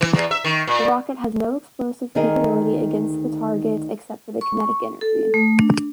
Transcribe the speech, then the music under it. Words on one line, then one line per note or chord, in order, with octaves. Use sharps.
The rocket has no explosive capability against the target except for kinetic energy.
E3
E2
E5
D#3
A#2
D2 D#3 D#4 G#4 A#4 D#5
C#6
A4
A3
D4